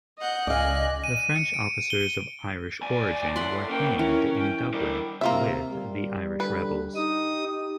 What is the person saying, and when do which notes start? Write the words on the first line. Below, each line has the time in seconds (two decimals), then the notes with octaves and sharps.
The French officers of Irish origin were hanged in Dublin with the Irish rebels.
0.18 D#5 F#5 G6
0.47 C#2 D5 D#5 F5 G#5 F#6
1.04 D#7
1.36 C#7
1.54 D7
1.90 G7
2.82 C2 D5 G#5
3.36 A2 F#5 B5 C6
3.69 A#3 C#4 A#4 G5
3.99 E3 C#4 A#4
4.37 G5
4.74 D3 G3 A#4
5.21 C3 A#3 F4 E5
5.71 G3
6.40 D3 B4
6.96 D#4 G4 D#6